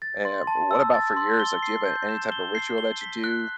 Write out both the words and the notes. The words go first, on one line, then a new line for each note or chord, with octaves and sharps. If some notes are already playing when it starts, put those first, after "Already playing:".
Eh, what about for yours? Like, do you have a any type of ritual that you do?
A6
C6
A5
E6
A6
C6
G7
C7
G6
E7
G7
C7
G7
B6
F#6